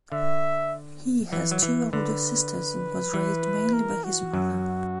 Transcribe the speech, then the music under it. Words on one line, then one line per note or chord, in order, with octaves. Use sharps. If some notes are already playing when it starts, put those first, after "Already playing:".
He has two older sisters, and was raised mainly by his mother.
D3 E5
E3
F#3
E3
D3 B4
E3
A#4
F#4
F#2 F#3